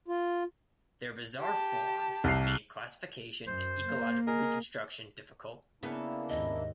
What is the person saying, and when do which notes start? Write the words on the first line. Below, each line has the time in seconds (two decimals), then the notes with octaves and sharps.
Their bizarre form has made classification and ecological reconstruction difficult.
0.08 F4
1.40 G4 A5
2.24 C2 C7
3.47 F#2 C5
3.89 A#3
4.27 G#4 A#4 D#5
5.83 C#3 A#3 B3 D4 E4
6.29 D#2 G#2 D#5